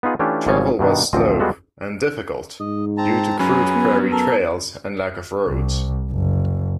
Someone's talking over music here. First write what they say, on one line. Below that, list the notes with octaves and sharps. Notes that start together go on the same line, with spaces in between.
Travel was slow and difficult due to crude prairie trails and lack of roads.
B3 D#4 F4 G#4
E3 A3 C#4 D4 F4 G4
G#1 F3 G3 C#5 G#5
G2 B2 D#3 D4
A1 D2 F3 C4 D#5
G3 G#3 B3 F4 F#4 A4
G#2 D#5
C4 A5 A#5
F#2 F#3 C#4 G#4 B4
B3
A4 A#4
C2
F#1